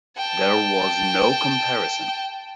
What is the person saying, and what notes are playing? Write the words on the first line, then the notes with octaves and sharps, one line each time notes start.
There was no comparison.
G5 A5